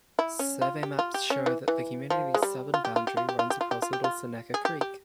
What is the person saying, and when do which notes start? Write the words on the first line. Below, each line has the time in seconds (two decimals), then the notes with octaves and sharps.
Survey maps show that the community's southern boundary runs along Little Seneca Creek.
0.19 E4
0.39 C#4
0.62 F4
0.83 G4
0.99 F4
1.14 G4
1.30 C#4
1.46 E3
1.68 E3
2.10 F3
2.34 G#3
2.43 G3
2.74 F4
2.85 G4
2.96 F4
3.07 G4
3.17 F4
3.29 G4
3.39 F4
3.50 G4
3.61 F4
3.71 G4
3.82 F4
3.93 G4
4.04 F4
4.54 G#4
4.65 G4
4.81 G4